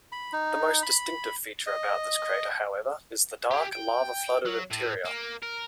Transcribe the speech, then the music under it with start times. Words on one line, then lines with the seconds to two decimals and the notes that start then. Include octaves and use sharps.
The most distinctive feature about this crater, however, is the dark, lava-flooded interior.
0.12 B5
0.33 D#4
0.83 B5
1.66 D#5
3.51 G4 G#4
3.73 G5
4.46 F#3
4.71 A2
5.05 A#3
5.43 A#4